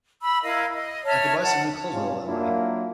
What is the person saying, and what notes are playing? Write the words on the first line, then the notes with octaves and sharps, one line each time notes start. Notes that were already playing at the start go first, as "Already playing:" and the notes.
I could buy some new clothes with all that money.
B5 E6
E4 A#4 D#5 F5
D#5
C#5 E5 A5 F6
F#5 A5
G#2 C3 G3 C#4 F4
F#3 A#3 D4 E4 F4